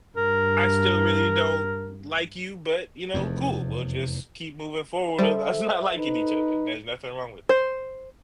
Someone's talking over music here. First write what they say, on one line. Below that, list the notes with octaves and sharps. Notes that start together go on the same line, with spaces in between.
I still really don't like you, but, you know, cool, we'll just keep moving forward with us not liking each other, and there's nothing wrong with that."
G2 A#4
F1 E2
G3 A4 C5 E5
D#4 B4
C5